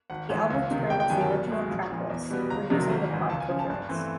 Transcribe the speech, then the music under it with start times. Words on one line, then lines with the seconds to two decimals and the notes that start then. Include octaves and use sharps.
The album scrambles the original track list, reducing the plot's coherence.
0.10 G#1 F#5
0.30 G#2 E3 G#3
0.50 C#2
0.71 C3 D#3
0.90 G1 G5
1.00 G5
1.10 F#2 D#3 G3 G#5
1.21 A5
1.30 B1
1.50 B2 G#3
1.69 A#1
1.90 A#2 F3
2.10 E2
2.30 B2 G3 B3
2.50 G1 A#5
2.70 F2 C3 D#3 F#3
2.89 G#1
3.10 G#2 E3
3.29 C#2 A5
3.40 G#5
3.49 C#3 F3
3.59 A5
3.70 G2 A5
3.89 E3 A3 C4